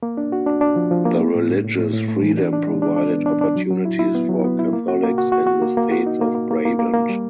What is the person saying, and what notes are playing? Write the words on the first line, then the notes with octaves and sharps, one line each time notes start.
The religious freedom provided opportunities for Catholics in the States of Brabant.
A#3
D4
F#4
D4
D4
F3
F3
A#3
A3
A2
A2
A2
A2
A2
A3
E3
D4
D4
G#3
D4
D4
B3
D4
D4
F#3
F#3
E4
E4
B3
F#3
B3
E4
A#3
F#4
A#3
F#4
F#4
F#4
A#3
A#3
F#4
D#4
A#3
A#3
A#3
A#3
A#3
A#3
G3